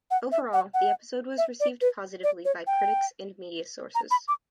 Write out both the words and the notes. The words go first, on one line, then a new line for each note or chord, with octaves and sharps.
Overall, the episode was received positively by critics and media sources.
F#5
E5
F#5
F#5
E5
D5
B4
D5
C#5
G5
A#5
B5
D6